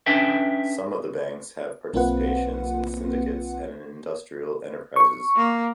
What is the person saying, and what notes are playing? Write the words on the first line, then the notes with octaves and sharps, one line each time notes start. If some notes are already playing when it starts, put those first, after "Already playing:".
Some of the banks have participations in syndicates and in industrial enterprises.
C#4 D4 A4 B4 E5 G5
B1 A#3 C4 F4 B4 F#5
C#6
A#3